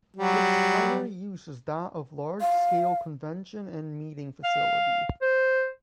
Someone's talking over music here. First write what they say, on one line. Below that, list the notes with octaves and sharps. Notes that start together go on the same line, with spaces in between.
Its primary use is that of large scale convention and meeting facility.
F#3 G3
F5
F5
C5